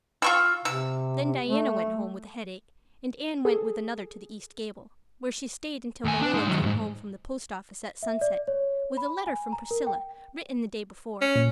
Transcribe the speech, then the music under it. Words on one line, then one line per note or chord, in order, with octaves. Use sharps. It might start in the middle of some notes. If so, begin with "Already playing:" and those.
Then Diana went home with a headache and Anne went with another to the east gable, where she stayed until Marilla came home from the post office at sunset, with a letter from Priscilla, written the day before.
F4 C#6 E6
C3 E6
A3
G#4 A4
D#2 G#5
D4
G#3 D#4
D#3 F#3
F2 G#2
E5
D5
C#5
B5
G#5
A#5
A#4
G5
C#4
A#2